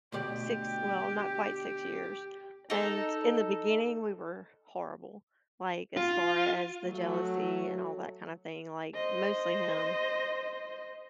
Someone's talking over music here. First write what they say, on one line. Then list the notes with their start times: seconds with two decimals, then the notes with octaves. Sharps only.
six well, not quite six years, and in the beginning, we were horrible, like, as far as the jealousy and all that kind of thing, like, mostly him,
0.12 D2 B2 G4 D5
2.70 D#4 A4
5.97 F4
6.86 F#3 A3
8.95 C5 D#5